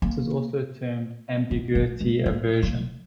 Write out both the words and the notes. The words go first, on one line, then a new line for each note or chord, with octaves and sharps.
This is also termed "ambiguity aversion".
A#3
B3
A#3
G#3
A#3
A#3